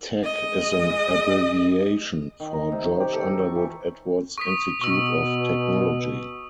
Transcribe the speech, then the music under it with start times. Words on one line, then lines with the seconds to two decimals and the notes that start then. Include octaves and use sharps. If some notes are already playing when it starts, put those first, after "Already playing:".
Tech is an abbreviation for "George Underwood Edwards Institute of Technology".
0.23 G#3 D#5
2.40 D#3
2.53 A#5
2.72 C3
2.84 C#5
3.00 G4
3.13 A4
3.27 A#4
3.39 C#6
3.55 E3
4.38 C#6 D#6 B6
4.81 B2 C#6 E6